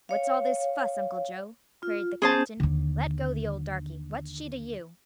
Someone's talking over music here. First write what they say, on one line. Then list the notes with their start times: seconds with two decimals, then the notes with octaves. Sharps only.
"What's all this fuss, Uncle Joe?" queried the captain. "Let go the old darkie; what's she to you?"
0.09 C#5 F5
1.83 F4
2.22 B3 C#4 G#4 C5 A5
2.60 D#2 D3